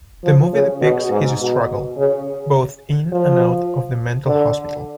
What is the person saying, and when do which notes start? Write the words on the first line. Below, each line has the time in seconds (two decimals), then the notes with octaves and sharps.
The movie depicts his struggle, both in and out of the mental hospital.
0.24 F3
0.53 C#3
0.81 B2
1.10 G#2
1.40 B2
1.97 C#3
3.12 F3
4.26 D3